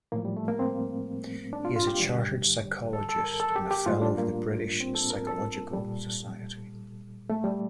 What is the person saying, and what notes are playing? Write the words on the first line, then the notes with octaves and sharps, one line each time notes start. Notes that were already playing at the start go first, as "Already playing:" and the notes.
He is a Chartered Psychologist and a Fellow of the British Psychological Society.
A2 F3 A#3
G3
A3
A#3
C4
D4
F4
F4
G4
G2 D3 G3
A4
A4
A#4
A4
G4
G4
A2 G3 F4
D4
A#3
C4
A4
A#4
A4
A#2 G3
A3
G3